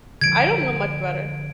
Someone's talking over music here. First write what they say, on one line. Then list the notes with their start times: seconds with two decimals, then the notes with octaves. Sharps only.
I don't know much about her.
0.21 D3 F3 G#6 D7